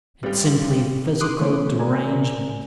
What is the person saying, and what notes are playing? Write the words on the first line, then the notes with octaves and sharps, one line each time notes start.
It's simply physical derangement.
G#1 G3 G4
C6 D6 D#6 F#6
E3 A3 B3 C#4 C5 C#5
A#4 D5 G#5 A#5